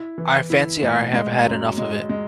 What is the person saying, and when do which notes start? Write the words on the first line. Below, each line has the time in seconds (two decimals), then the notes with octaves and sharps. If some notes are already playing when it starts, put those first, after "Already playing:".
I fancy I have had enough of it.
Already playing: E4
0.18 E3
0.50 E4
0.82 A2
1.13 G#3
1.46 F#2
1.78 G#3
2.09 G#3